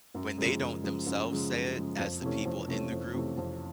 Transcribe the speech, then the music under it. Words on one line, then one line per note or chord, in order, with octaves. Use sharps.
when they don't themselves say it as the people in the group,
F#2
C#3 F3 G#3
F#2
C#3 F3 G#3
F#2
C#3 F3 G#3
F#2
C#3 F3 G#3
F2
C3 E3 A3 C#4
F2
C3 E3 A3 C#4
F2
C3 E3 A3 C#4
F2